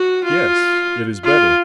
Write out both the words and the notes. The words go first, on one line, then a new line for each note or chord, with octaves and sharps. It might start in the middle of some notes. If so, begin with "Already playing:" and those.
"Yes, it is better."
Already playing: F#4
F4
F4